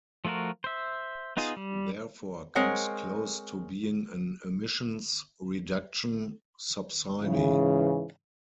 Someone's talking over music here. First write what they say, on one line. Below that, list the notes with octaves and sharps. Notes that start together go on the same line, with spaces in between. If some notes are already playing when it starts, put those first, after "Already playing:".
It therefore comes close to being an emissions reduction subsidy.
F3 A3 F4 F#4 A#4
C5 E5
B3 D#4 F4 G#4
G3
G#3 C4 A#4 C#5 F#5
G#2 C#3 E3